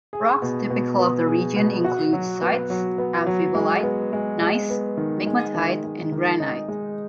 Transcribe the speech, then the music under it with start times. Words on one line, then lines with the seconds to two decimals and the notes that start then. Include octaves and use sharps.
Rocks typical of the region include schist, amphibolite, gneiss, migmatite, and granite.
0.13 G#4
0.42 B2
0.70 B2
0.99 B3
1.27 G#4
1.56 B2
1.85 F#4
2.13 F#3
2.41 B3
2.70 F#3
2.98 B3
3.27 F#3
3.55 G#3
3.83 B3
4.13 G#3
4.41 G#3
4.70 B3
4.97 D#3
5.26 G#3
5.54 D#3
5.84 G#3
6.12 D#3
6.40 D#4
6.68 G#3